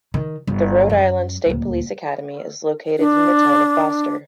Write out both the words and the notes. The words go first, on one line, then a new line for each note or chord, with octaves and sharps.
The Rhode Island State Police Academy is located in the town of Foster.
D#3
G1
F#2 F#3
D#1 D2
D4